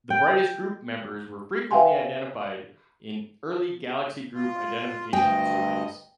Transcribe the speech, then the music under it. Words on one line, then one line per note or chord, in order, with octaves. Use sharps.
The brightest group members were frequently identified in early galaxy group identification surveys.
G5
B4 E5 F5 G5 G#5 C6
F4
D2 G2 D#5 G5